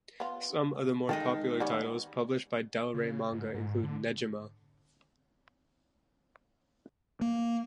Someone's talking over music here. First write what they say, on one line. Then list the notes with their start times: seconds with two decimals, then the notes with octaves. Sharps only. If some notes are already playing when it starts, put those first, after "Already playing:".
Some of the more popular titles published by Del Rey Manga include Negima!
0.20 B3 F4
1.09 D#3 G#3 D#4 A4 G5
1.60 G3 B3 C#4
2.94 C#3
3.32 G#2
3.54 G#2
3.83 D3
7.21 A#3